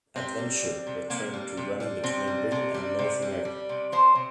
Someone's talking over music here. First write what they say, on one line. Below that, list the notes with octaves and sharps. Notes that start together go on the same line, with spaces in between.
"Adventure" returned to running between Britain and North America.
C3 C4
G3
G3
C3
C3 A#3
G3
C3
G3
C3 C4
G3
C3
G3
C3
G3
G3
C3
F3 C5
C3